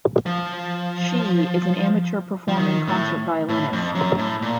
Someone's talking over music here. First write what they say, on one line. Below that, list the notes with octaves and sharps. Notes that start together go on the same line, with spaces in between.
Shi is an amateur performing concert violinist.
F3
F3
D#3
A2
A2
F2
F#2
A2
A#2